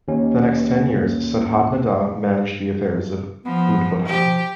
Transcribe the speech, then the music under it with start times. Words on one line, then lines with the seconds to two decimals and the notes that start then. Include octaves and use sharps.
For the next ten years Shuddhananda managed the affairs of Udbodhan.
0.08 D#2 C#4
3.45 F3 B3
4.06 F3 G4